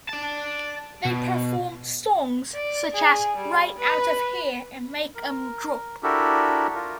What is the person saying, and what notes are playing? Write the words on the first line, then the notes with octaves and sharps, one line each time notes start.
They performed songs such as "Right Out of Here" and "Make 'em Drop".
D5 A5
B2
D5
G#4
G3
B4
A#4
D4 E4 F#4 G4 A4 A#4
F4 A#4